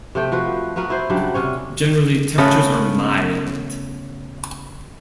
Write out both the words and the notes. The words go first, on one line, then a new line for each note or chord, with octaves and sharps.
Generally, temperatures are mild.
C3 A3 G5
F3 F#4 B4
B3 F#4 A#4 B4
E4 C5
C#3 F#3 G3 D4
C3 C#4 C#5
C#3 A3 B3 B4